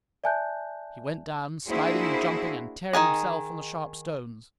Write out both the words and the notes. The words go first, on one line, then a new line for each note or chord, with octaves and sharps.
He went down, sliding and jumping and tearing himself on the sharp stones.
D5 E5 G#5 A5 F#6 G6
A#3 D4 E4 F#4 G#4 C5
D#3 F#3 G#4 D#5